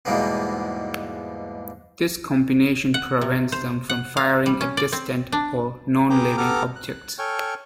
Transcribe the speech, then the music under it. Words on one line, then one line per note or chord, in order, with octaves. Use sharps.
This combination prevents them from firing at distant or non-living objects.
E2 G#2 B2 G3 A#3 B3
F#5
C3
C5
F#5
F5
G3
C#4
D5
C4
D4
G#4 B4 G5 A#5 D6
B3 G4 A4 A#5 D6 F6
F#6
A4 C#5 G5 G#5 C#6 F6